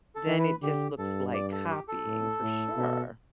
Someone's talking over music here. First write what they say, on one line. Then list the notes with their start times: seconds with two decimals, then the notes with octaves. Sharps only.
then it just looks like copying for sure.
0.15 A4
0.27 E3
0.39 B4
0.62 D3 G4
0.98 G2 A4
1.34 D5
1.52 A4
1.70 G4
1.88 A4
2.06 A2
2.41 A2
2.77 B2